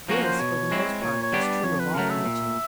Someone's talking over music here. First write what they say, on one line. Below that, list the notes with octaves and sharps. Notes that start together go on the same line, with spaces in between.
This, for the most part, is true of all hygiene.
F3 A#3 C#4 F#4
C5
B2 C#5
G#3 C4 E4
A#2 C#5
C#5
G3 B3 D4 G4
D5
F2 C#5
B4
C#3 F#3 A3 A#4
E5
A#2